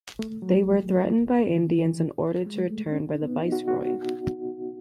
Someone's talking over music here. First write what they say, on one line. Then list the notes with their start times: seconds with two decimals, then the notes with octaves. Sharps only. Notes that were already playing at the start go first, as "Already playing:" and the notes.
They were threatened by Indians and ordered to return by the viceroy.
0.19 A3
0.42 F#3
1.50 D#3
1.55 E3
1.78 E3
2.46 G#3
2.69 A3
2.92 C#4
3.07 D#4
3.22 B3
3.37 D#4
3.52 F#4
3.68 F#4